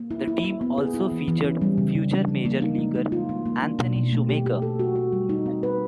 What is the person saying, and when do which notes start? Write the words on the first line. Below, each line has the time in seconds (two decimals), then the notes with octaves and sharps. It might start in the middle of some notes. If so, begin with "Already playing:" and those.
The team also featured future major leaguer Anthony Shumaker.
Already playing: A#3
0.11 E4
0.28 E4
0.45 E4
0.61 B3
0.78 G#4
0.94 E4
1.12 E3
1.28 E3
1.44 C#4
1.62 G3
1.78 C#3
1.95 C#3
2.11 D4
2.28 F3
2.45 A#3
2.62 D#4
2.78 G#3
2.95 D#4
3.12 F4
3.29 A#3
3.46 A#3
3.63 D4
3.79 B2
3.96 B2
4.12 A3
4.29 G4
4.46 G4
4.62 A4
4.79 F#4
4.96 F#4
5.12 G3
5.29 D#4
5.46 C4
5.63 B4